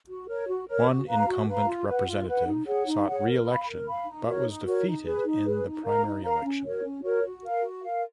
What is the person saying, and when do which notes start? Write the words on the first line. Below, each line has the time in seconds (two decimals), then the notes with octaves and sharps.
One incumbent representative sought reelection but was defeated in the primary election.
0.08 F#4
0.28 A#4 C#5
0.48 F#4
0.67 A#4 C#5
0.88 F#4
1.07 B4 F5 A#5
1.27 F#4
1.48 B4 F5 A#5
1.67 F4
1.86 B4 F#5
2.07 F4
2.27 B4 F#5
2.46 D#4
2.66 G#4 C#5 F#5
2.86 D#4
3.07 G#4 C#5 F#5
3.26 A#4
3.46 F5 B5
3.65 A#4
3.86 F5 B5
4.05 D#4
4.25 F#4 A#4 C#5
4.46 D#4
4.65 F#4 A#4 C#5
4.85 D#4
5.04 G#4 B4
5.25 D#4
5.44 G#4 B4
5.65 D#4
5.84 A#4 F5 A#5
6.04 D#4
6.24 A#4 F5 A#5
6.43 C#4
6.64 F#4 A#4 C#5
6.83 C#4
7.03 F#4 A#4 C#5
7.23 F#4
7.44 A#4 F5
7.63 F#4
7.82 A#4 F5